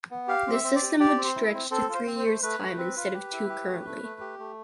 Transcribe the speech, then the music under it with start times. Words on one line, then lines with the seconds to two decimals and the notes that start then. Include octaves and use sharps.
The system would stretch to three years time instead of two currently.
0.11 B3
0.28 G4 F5
0.47 C4
0.52 E5
0.64 C4
0.76 D5
0.82 G4
1.00 G4 D5
1.17 C4
1.24 C5
1.36 E4
1.54 C4
1.71 C4 A4
1.89 F4
1.94 C5
2.07 C4
2.19 C5
2.25 A3
2.43 A3 B4
2.60 A3
2.78 C4
2.97 F4
3.14 G4
3.32 E4
3.49 G4
3.67 A3
3.86 A3
4.03 A3
4.21 G4
4.39 A3